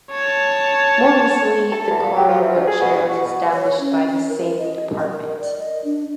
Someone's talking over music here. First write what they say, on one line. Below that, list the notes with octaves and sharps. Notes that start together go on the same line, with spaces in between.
More recently the Carl Wood Chair was established by the same department.
C#5 A5
A4
E2
A#2
G4
F3
E3
D2
G#4
B2
G2
F#4
B2
C#5
C#4
C#4
A#4
D#5
D#5
A#4
D5
D#5
D4